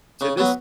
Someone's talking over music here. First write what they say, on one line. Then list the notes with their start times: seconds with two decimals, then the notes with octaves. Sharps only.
To this
0.21 C#3
0.38 F#3 B3